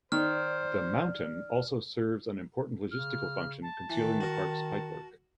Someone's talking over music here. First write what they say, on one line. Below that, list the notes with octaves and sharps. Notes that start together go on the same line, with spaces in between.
The "mountain" also serves an important logistical function, concealing the park's pipework.
D#3 C5 D5 F6
C#3 F6
A5
D#3 E3 B4
F#4 A#4